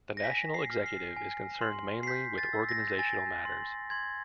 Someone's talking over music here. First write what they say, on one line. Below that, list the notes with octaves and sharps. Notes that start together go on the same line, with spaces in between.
The National Executive is concerned mainly with organisational matters.
A#6
G#5 B6
C7
F6
C7
G#5
C6
C7
G6 B6
A6
E6
A#6
G#5 A6
C6
C6 G#6